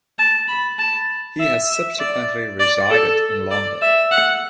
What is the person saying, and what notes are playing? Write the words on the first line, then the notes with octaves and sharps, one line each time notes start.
He has subsequently resided in London.
A5
B5
A5
E5
E5
D5
D5
A4
D5
E5
F#5